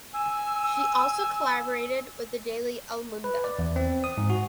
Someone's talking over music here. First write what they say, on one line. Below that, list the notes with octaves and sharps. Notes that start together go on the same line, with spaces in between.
She also collaborated with the daily "El Mundo".
G#5 E6
B4
D5
E2
C4
D#6
G#2
F#4